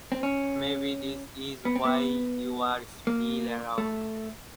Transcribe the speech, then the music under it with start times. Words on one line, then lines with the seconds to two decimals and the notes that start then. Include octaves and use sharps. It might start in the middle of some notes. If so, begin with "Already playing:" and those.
Maybe this is why you're still around.
0.12 C4
0.23 C#4
1.65 B3
1.76 C4
1.85 B3
3.07 A#3
3.78 A3